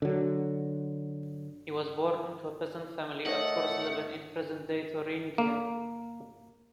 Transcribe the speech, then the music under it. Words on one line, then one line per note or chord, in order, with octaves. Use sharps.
He was born into a peasant family at Gorsleben in present-day Thuringia.
D3 F#3
A3 D#4 A#4 C#5 D#5 F#5
A#3